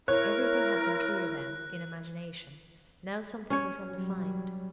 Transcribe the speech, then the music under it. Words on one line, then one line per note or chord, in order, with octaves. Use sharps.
Everything had been clear then, in imagination; now something was undefined.
E4 A#4 C#5 F#6
C#4 C#5
F#3 G3